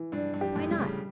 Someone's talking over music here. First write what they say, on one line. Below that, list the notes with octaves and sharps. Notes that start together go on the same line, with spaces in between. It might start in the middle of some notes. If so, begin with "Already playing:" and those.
Why not?
Already playing: E3
G2 D4
G2
G4
F#2 A2
G3
A2 C#3